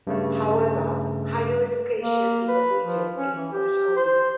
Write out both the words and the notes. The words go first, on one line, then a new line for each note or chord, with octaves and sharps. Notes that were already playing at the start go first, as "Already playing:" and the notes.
However, higher education in the region is much older.
G2 C#3 A3
A#3
B4
F3
C#4
E3
G4
C5